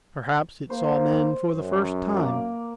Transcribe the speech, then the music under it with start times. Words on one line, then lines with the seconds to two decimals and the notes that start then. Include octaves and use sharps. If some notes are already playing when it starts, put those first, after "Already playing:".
Perhaps it saw men for the first time.
0.70 A#3 C5
1.56 F#2
2.17 A#3